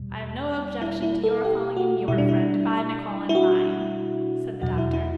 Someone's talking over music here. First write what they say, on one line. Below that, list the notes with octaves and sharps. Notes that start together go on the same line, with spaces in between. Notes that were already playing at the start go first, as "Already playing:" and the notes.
'I have no objection to your calling in your friend if I may call in mine,' said the doctor.
Already playing: E2 B2 G3
E4
E4
A4
G4
F#4
B2 G3 E4
D4
E4
E4
F#4
E2 B2 F#3 F#4
E4
E4